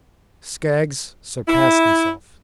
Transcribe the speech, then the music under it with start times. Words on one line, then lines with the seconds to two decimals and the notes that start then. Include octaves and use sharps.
Skaggs surpassed himself.
1.48 E4